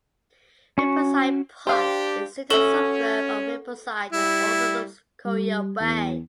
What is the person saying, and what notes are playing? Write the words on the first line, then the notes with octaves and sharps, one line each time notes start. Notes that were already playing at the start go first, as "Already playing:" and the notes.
Rippleside Park is in the suburb of Rippleside and over-looks Corio Bay.
C#4 F#4 C#6
D4 G4 C5 F5
C#4 F#4 A4 E5 E7 G7
G3 E4
G3
E2